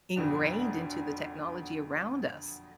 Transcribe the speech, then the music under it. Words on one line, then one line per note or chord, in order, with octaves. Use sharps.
ingrained into the technology around us,
F#1 F2 B2 D3 D4